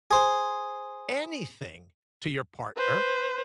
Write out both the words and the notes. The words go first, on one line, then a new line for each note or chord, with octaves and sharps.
anything to your partner,
G#4 C5
B4 C5